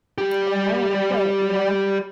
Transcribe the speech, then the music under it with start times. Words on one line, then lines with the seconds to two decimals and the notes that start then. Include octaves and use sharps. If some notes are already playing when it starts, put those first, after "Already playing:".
and I wanna quit, you know?"
0.18 G3 G4